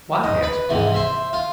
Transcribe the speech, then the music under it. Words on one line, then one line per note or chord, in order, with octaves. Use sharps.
"Why?" asked Porthos.
D#4
B4
G#2 C3 E3
C5 E5
F4